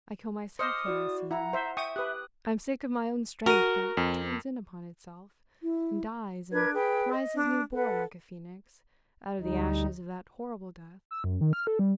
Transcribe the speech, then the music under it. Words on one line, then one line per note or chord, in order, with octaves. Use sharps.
I kill myself when I see you--I'm sick of my own strength that turns in upon itself, and dies, and rises new born like a Phoenix out of the ashes of that horrible death.
C5 D#5 D6 D#6 F6 C#7
E4 F#4 D5
E4 F#5 A#5
C5 E5
E5 G5 C#6 D#6
G4 B4 D#6 F#6
F#4 A#4 D#7
F2
E4
D4 A#4 B4 G#6
G#4 B4 G5
D#5
D4
A4 B4 F#5
D2 G3 D#4
E6
F#2
D#3
F6
A4
G3